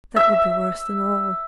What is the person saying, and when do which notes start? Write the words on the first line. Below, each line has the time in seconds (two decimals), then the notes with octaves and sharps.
That would be worse than all.
0.16 E5